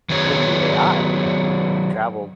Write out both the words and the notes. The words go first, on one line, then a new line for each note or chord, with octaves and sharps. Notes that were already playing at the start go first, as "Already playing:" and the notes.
in the AI and we've traveled
D#3 F#3 B3 G#4 C#5